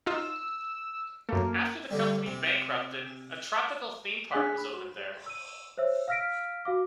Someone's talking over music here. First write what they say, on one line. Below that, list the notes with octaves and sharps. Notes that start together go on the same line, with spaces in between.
After the company bankrupted, a tropical theme park was opened there.
D#4 F4 E6
F#2 A3 A#3
D3 G3
C3
D4 G#4 G#5 F#6 B6
B5
E6 D#7
C5 C#5 E5 E6
F5 E6 F6 A#6 B6 D7
F#4 F5 D6